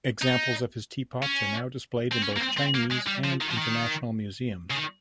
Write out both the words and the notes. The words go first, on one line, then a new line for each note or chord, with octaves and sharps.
Examples of his teapots are now displayed in both Chinese and international museums.
D#4
C#4
C4
C#4
A#3
C4
C4
A#3
G#3
G3
F3
D#3
F3
D#3
C#3
D#3